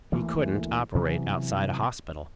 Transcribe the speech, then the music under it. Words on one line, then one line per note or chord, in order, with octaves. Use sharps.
He couldn't operate outside a hospital.
D2 E3 A3 A#3
C3 E3 F#3 B3